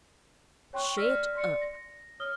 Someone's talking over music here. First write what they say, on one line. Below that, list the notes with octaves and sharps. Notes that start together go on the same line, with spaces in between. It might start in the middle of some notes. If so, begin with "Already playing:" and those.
"Shet up!"
C#5 G5 C6 C#6 F#6
D5 C6 E6 F6 A#6 B6
D5 C6 C#7
A#6
C#5 D#6 F6 G7